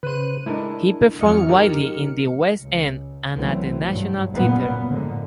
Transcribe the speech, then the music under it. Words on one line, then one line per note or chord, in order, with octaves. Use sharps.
He performed widely in the West End and at the National Theatre.
C#3 B4 C5 F#6 D#7
G#3 D4 E4 A4 A#4
F2 F#3 D#5 F6 C#7
D#4 G4 A#4
C#2
C2 B2 E3 F#3 A3 C4
G2 F#3
F#1 F#2 A#2 A#3 B3
A2 D3 F3 G#3 A#3